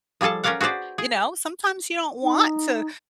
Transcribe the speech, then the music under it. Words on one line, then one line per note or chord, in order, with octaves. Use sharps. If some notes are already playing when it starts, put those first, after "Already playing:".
you know, sometimes you don't want to
F3 G3 G#4 A4 A5
C#4 A#4 C#5 D5 F5 F#5
F#4 G#4 B4 C5 D5
G#4
D#4